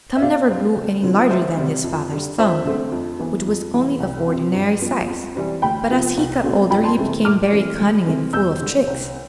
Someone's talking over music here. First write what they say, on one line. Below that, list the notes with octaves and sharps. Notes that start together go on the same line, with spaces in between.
Tom never grew any larger than his father's thumb, which was only of ordinary size; but as he got older he became very cunning and full of tricks.
E5
B2 D5 F5
G3 C4
D2
D3 F3 C4
D2 C5 E5
C3 G3
F2
D3 G3
F2 C5 E5
D3 A3 C4
F2
E3 B3
F2
C3 E3
C2
C3 F3 C4
G2
F3 B3
F2
E3 G3 C4
D2 G5 B5
C3 F3 B3
C2
B2 A3 C4
F2 G5 B5
A5 C6
C3 E3 A3 C4
A2 D6 F6
E3 A3 C4
D2
C3 E3 A3 C4
E2 E6 G6
D3 G3
C2